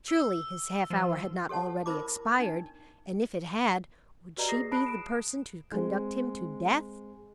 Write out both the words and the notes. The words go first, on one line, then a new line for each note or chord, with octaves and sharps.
Surely, his half-hour had not already expired; and if it had, would she be the person to conduct him to death?
E6
F3
G4 A4 C#5 F#5 A5
E4 A#4 C5 B5 D6
D4 D#4
F#4 G4 B4 D5 D#5 A#5
G#4 D#6 A#6 C7
A5 B5 D#6 F#6 C7 D7
D#6 D7 E7
G#3 C4